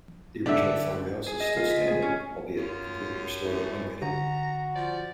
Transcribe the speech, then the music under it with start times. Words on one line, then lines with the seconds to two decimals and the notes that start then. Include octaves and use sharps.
The original farmhouse is still standing albeit completely restored and renovated.
0.46 D3 D4 G4 E5
1.26 G#4
1.40 D#5
1.57 F4
1.71 B6
1.87 G#4
2.02 C#4
2.56 F#2 F4
3.45 E3 A3
4.02 D3 F#4 A#5
4.75 F3 D5